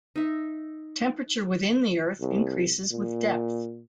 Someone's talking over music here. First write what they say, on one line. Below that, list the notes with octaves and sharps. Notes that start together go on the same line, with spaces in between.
Temperature within the Earth increases with depth.
D#4 E5
C2
A#2